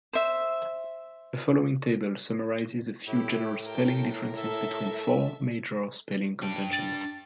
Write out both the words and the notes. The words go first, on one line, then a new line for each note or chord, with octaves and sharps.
The following table summarizes a few general spelling differences between four major spelling conventions.
C5 E5
A2 E4 G4
A#4 G5 A5
A4 E5 A5
D4 G5
A6